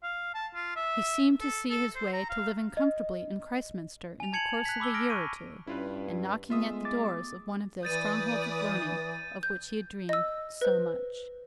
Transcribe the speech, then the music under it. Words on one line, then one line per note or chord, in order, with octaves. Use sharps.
He seemed to see his way to living comfortably in Christminster in the course of a year or two, and knocking at the doors of one of those strongholds of learning of which he had dreamed so much.
F5
A5
F4
E5
A4
A4
C5
A#5
F5
D#5
G#5 F7
A5 G#6 C#7 F7 F#7
F#6 B6
B5 D6 E6 G7
F6 A#6 D7
C#6 D#7
G2 C#4 E4 F4 B4
G#3 A3 B3 F4 E5 D#6
D6 A6
E3 B4 D5 D#6 G6 A6 D#7
G6
D#5 E6
B4 C5